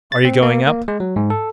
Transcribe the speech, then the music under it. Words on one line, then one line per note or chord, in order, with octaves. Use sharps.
"Are you going up?"
A6
C4
A#3
A#3
G#3
F#3
G#2
A4